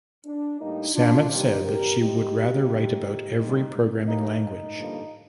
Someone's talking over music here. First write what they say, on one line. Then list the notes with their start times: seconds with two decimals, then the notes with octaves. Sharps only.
Sammet said that she would rather write about every programming language.
0.25 D4
0.60 A2 G3 A#3 D#4
0.94 D4 F4
1.29 D#2 D#3 G3 C4 D#4 G4
1.64 G4 A#4
1.99 A2 G3 C4 D#4 G4
2.68 D#2 D3 G3 C4
3.37 D#2 D3 G3 C4 D#4
4.07 D#2 D#3 A#3 D#4
4.41 D#4
4.76 G2 D3 F3 A#3